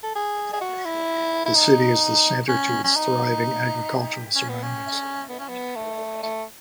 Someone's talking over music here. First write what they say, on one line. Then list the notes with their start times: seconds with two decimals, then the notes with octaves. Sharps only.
The city is the centre to its thriving agricultural surroundings.
0.03 A4
0.15 G#4
0.53 G#4
0.61 F#4
0.85 E4
1.46 E4
1.55 D#4
2.49 C#4
2.84 C#4
2.96 D#4
4.35 C#4
4.49 B3
4.63 C#4
5.29 B3
5.39 C#4
5.48 B3
5.76 A3
6.23 A3